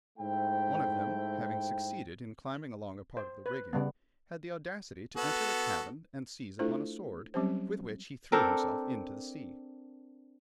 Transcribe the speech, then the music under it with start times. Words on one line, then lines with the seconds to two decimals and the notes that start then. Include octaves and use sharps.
One of them, having succeeded in climbing along a part of the rigging, had the audacity to enter a cabin and seize upon a sword, with which he threw himself into the sea.
0.19 G#2 A3 E4 C5 G5
3.17 C5
3.46 B4
3.73 C#3 G3 B3
5.17 B3 F#4 A4
6.59 A3 D4 E4 F4 A4 C5
7.34 F#3 G3 C4 C#4 G4 C5
8.32 C4 D4 A4 A#4